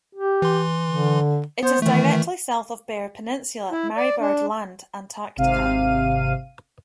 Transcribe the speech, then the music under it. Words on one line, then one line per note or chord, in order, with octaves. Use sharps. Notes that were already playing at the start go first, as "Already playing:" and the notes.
It is directly south of Bear Peninsula, Marie Byrd Land, Antarctica.
G4
E3 C6
D3
B3 C5
D#3 E3 A3
E4
D5
D4
G#1 C3 F5 D#7